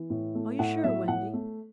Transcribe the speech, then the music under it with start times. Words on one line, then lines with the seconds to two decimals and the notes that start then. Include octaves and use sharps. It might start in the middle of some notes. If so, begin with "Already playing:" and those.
"Are you sure, Wendy?"
Already playing: E3
0.10 A2
0.35 A3
0.59 A2 F#5
0.84 F#3 E5
1.08 A2 F#5
1.33 A3